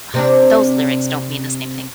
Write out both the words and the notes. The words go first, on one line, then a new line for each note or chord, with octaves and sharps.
Um, those lyrics don't mean the same thing.
C3 C4 D4